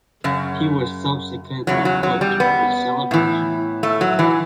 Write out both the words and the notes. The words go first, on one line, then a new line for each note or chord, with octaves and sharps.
He was subsequently booked for his celebration.
F#2 C#3
E2 C#3 F#3
F#3
F#3
G3
B3
A2 E3
A3
F#3
E3